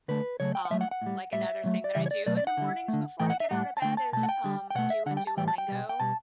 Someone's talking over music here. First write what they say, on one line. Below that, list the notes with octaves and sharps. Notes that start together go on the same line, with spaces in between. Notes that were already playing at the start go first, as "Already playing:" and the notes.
um, like, another thing that I do in the mornings before I get out of bed is, um, do a Duolingo?
D3 A3 B4
C#3 F#3 A3 C#5
G5
F#5
A2 F#3 A3 E5
F#5
F#5
A2 G3
A2 G3 E5
A2 F#3 A3
D5
C#3 E3 G3 E5
C#5
D5
B2 F#3 A3 D5
D5
F#5
D3 G3
D3 A3
A2 E3 A3 G5
F#5
E5
A2 G3 F#5
A5
D3 A3 G5
A5
B2 A3 A5
F#5
G5
D3 G3
G5
B2 A3 F#5
E5
D3 G3 F#5
G5
A5
A2 E3 G3 G5
A5
G5
B2 G3
G5
B2 G3 A5